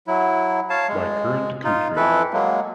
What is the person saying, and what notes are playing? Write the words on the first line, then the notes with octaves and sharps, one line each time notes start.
By current country.
F#3 E4
C#5 F5 A5
G#3
D#4 F4
F2 E3 E4 A4 B4
F#3 G#3 A#3